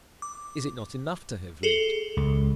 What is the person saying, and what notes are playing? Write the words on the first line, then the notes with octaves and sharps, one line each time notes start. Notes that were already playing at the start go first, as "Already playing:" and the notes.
Is it not enough to have lived?
D6
G#4 A4
C#2